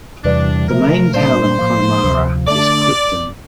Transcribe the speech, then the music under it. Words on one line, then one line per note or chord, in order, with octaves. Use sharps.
The main town of Connemara is Clifden.
E2 C3 E3 G3 D4
C3 F3 A3 A#4
A#2 G3 A#3 D4 C5
A2 F3 A#3
D2 C3 F3
D3 A3 D4 D5